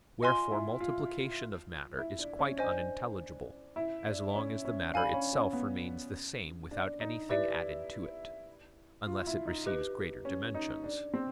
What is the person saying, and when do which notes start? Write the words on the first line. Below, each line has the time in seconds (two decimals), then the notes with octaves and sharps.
Wherefore multiplication of matter is quite unintelligible, as long as the matter itself remains the same without anything added to it; unless it receives greater dimensions.
0.23 F4 D#5 G#5 C6
0.51 E4
0.80 F4
1.98 E4
2.19 D4
2.39 C#4
2.58 D4 C5 D#5 G#5
3.76 E4
4.06 D4
4.35 C#4
4.65 C#4
4.94 D4 F5 G#5 B5
5.14 C#4
5.33 C#4
5.53 B3
6.71 D4
7.00 D#4
7.29 E4 G4 B4 D5
9.07 F4
9.27 E4
9.46 D#4
9.66 G4 B4 D#5
10.25 C#4
10.54 D#4
10.84 D4
11.14 C4